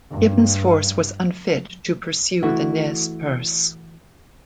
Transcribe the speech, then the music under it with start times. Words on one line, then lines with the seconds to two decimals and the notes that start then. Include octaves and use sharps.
Gibbon's force was unfit to pursue the Nez Perce.
0.10 G2
2.43 E3 A3 E4 F#4